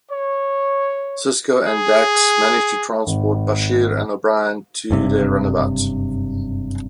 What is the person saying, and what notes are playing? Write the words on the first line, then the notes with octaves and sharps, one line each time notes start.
Sisko and Dax manage to transport Bashir and O'Brien to their runabout.
C#5
G#4
G#1
F#1 G2 C3